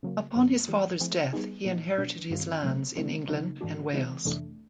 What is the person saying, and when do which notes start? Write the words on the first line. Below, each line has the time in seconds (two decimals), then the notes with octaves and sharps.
Upon his father's death, he inherited his lands in England and Wales.
0.03 C#3 F#3 A#3
0.35 G2 D#3 F#3 A#3
0.68 A2 E3 G3
1.00 F3 A3 C4 E4 G#4
1.33 G3 B3 D#4 G#4
1.65 A#2 F#3 A#3 D#4
1.98 B2 F#3 B3 D4
2.30 G2 D#3 G3 C4 F4
2.63 B2 F#3 A3 C4
2.95 C3 D#3 G#3 C4 E4
3.28 C#3 F#3 A#3 D#4
3.61 G#2 E3 A3 D4 F#4
3.93 E3 G#3 C4 E4
4.25 F2 C3 E3 A3 D4